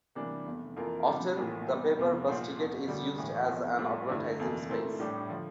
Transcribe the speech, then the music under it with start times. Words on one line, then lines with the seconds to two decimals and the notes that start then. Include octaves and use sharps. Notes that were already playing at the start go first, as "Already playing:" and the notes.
Often, the paper bus ticket is used as an advertising space.
0.15 C3 E3 G3 A#3 D4
0.46 F1 E2 C3
0.77 F2 E3 A#3 F4 A#4
1.07 C2 C3 G3 D4 F4
1.37 A#1 A2 E3 A#3 F4
1.66 E2 C3 G3
1.97 F1 E2 C3 F3
2.27 C2 A#2 F3 C4
2.57 G1 F2 C3
2.88 E1 D2 D3 G3
3.17 A#1 A2 E3
3.48 F1 E2 C3 F3
3.78 A#1 A2 G3 C4 F4
4.09 G2 D3 A3 E4
4.39 F1 F2 E3 A#3
4.69 A#2 A3 C4 E4 A#4
4.99 A2 G3 D4 G4
5.29 D3 F3